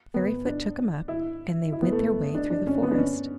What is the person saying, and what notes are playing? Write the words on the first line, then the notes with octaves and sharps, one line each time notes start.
Fairyfoot took him up, and they went their way through the forest.
B3
D4
E4
E4
B3
A3
D4
D4
C#4
B3
D4
C#4